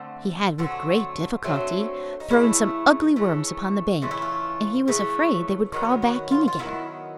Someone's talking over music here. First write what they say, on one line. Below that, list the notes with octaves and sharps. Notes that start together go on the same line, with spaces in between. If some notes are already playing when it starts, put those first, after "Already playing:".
He had, with great difficulty, thrown some ugly worms upon the bank and he was afraid they would crawl back in again.
Already playing: D3 A3 C4
D3 F#3 A3 C4
D3 F#3 A3 C4
D#4
C#3 E3 A3 E4
C#3 E3 A3
C#3 E3 A3 F4
E4
F4
C#3 E3 A3
D#3 F#3 B3 F4
F#4
F4
F4
D#3 F#3 B3 E4